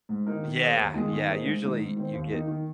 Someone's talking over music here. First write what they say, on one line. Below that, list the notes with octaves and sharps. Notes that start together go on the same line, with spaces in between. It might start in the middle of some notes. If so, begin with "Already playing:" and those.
Yeah, yeah, usually you get
G#2
D#3 A#3 D#4 A#4
D#3
A#3 G#4 C5
D#2
D#3 G#3 F4 G#4
D#3
A#3 D#4 G#4 C5
G#2
D#3 G#3 D#4
G#2
D#3 C4
D#2
D#3 A#3 D#4
D#3